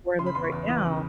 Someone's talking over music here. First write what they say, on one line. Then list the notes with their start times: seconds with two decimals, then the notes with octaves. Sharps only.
Where I live right now,
0.19 C#3 C6
0.26 B5
0.35 E2 C6
0.44 C#6
0.52 E2
0.69 E3 D#6
0.86 C#3